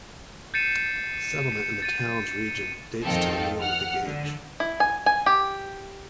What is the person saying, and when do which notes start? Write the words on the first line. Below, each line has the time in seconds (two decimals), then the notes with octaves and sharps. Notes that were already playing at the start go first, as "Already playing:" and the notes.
Settlement in the town's region dates to the Neolithic age.
0.54 G6 A6 C7 C#7 D#7 E7
1.52 C#7
1.82 A6 D#7
3.04 F2 D#3 C4 A4 F5 G5
3.61 F#5 F6
4.04 D3
4.60 E4
4.80 G#5
5.06 G#5
5.26 G4